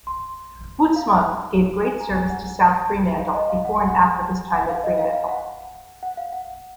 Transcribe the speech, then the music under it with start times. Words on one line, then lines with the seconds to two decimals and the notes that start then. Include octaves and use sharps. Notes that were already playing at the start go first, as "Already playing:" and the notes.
Bootsma gave great service to South Fremantle before and after his time at Fremantle.
0.07 C6
0.96 F5
1.86 G#5
2.00 A#5
2.15 G#5
2.30 F#5
3.20 F5
3.35 D#5
3.49 F5
3.65 F#5
3.76 G#5
3.88 F#5
4.54 F#5
4.69 F5
4.84 D#5
4.98 F5
5.13 F5
5.28 F#5
6.03 F#5
6.17 F5
6.32 F#5